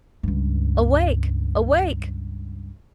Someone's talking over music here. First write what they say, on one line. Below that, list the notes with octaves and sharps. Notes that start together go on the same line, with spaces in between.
"Awake, awake!"
C#2 G2